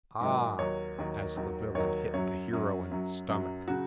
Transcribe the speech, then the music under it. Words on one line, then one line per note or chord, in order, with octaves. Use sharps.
"Ahhhhh," as the villain hit the hero in the stomach....
G#2 D#3 F#3 D#5
D#2 D#3 F#3 C#5
D#2 D#3 F#3
D#2 D#3 F#3
D#2 D#3 F#3 C#5
F#2 F#3 C#5
F#2 F#3
F#2 F#3
F#2 F#3
C#3 F#3 F#4